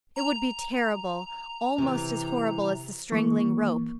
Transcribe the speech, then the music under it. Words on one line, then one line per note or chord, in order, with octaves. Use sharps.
It would be terrible--almost as horrible as the strangling rope.
A#5
C3 E3
E3 A#3 C#6